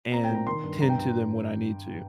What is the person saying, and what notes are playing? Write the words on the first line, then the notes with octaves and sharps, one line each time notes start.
and tend to them when I need to.
C4 A#5
G5
A#2
A#5
D#3 C6
G2
G2 A#5
G5
G2 A#5